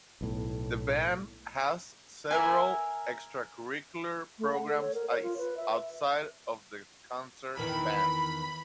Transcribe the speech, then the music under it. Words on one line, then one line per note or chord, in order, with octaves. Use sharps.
The band has several extra-curricular programs outside of the "Concert Band".
B1 A2
A#4 E5 G#5
A3
F#5
A4
C#5
A#4
C#5
F4
B4
E5
E2 D#3 E3 B5